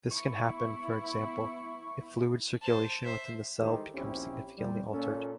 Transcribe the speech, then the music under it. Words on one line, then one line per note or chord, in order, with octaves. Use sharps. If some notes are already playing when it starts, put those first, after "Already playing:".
This can happen, for example, if fluid circulation within the cell becomes significantly altered.
B3 E4 C#6
C5 A5
C5 E5
D#3 E3 G#3 G4 A4 C5
A#1 D#2 C4 C#4 E4 G4
E2 G3 C4
A#2 C#4 A4